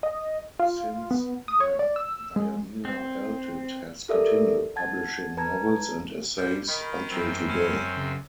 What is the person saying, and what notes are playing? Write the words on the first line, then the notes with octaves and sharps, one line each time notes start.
Since then Diamela Eltit has continued publishing novels and essays until today.
D#5
F4
B3
D#6
C#5
D5
E6
G#3
C4
G4 A4 A#4 D5 E5
F#5 A5 G#6 A6
B4 A5 A#5 G#6
F3 G3
D#3 B5
F#2 C4
C#4
C#3